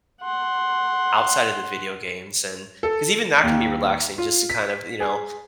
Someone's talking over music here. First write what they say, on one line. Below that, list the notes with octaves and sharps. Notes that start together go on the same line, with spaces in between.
outside of the video games and 'cause even that can be relaxing just to kind of, you know,
F#5 C6
A4
D#2
F4
B6
G#4